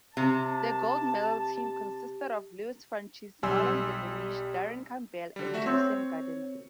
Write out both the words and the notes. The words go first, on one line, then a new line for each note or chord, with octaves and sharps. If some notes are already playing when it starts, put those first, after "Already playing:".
The gold medal team consisted of Lewis-Francis, Marlon Devonish, Darren Campbell and Jason Gardener.
C3 A5
B1 G3 G#5 C6 E6
D3 G3
A3 F#4 E5
C4 C#5